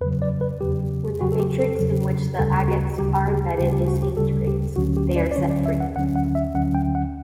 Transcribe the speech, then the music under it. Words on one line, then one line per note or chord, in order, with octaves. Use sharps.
When the matrix in which the agates are embedded disintegrates, they are set free.
E2 C#3 F#3 B4
D5
B4
E2 C#3 F#3 G4
E2 C#3 F#3 F#4
A4
G4
A4
E2 C#3 F#3
D2 C#3 G3 A4
F#4
D2 C#3 G3 G4
G4
D2 C#3 G3 G4
G4
F#4
G4
D2 C#3 G3 A4
G4
D2 D3 F#3 C#4 F#4
G4
D5
D5
D2 D3 F#3 C#4 C#5
D5
E5
F#5
D2 D3 F#3 C#4 F#5
F#5
E5
D2 D3 F#3 C#4 F#5
G5
F#5